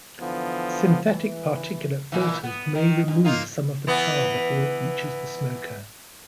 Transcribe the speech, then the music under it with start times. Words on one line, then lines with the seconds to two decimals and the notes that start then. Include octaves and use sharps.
Synthetic particulate filters may remove some of the tar before it reaches the smoker.
0.19 D3 E3 F3 B3
1.04 E3
2.12 A#2 E3
2.44 B3
2.75 D#3
3.08 G2
3.25 A#3 D#4 F4
3.87 E3 B3